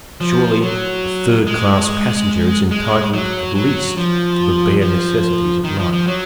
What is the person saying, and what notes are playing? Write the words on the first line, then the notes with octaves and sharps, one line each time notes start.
Surely a third class passenger is entitled at least to the bare necessities of life.
F3
F#3
G#3
G#3
F#3
F#3
F3
F3
D#3
F3
F3
F#3